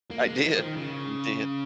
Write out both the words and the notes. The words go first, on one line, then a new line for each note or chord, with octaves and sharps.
I did. Mm did.
A#3
G#3
F3
D#3
C#3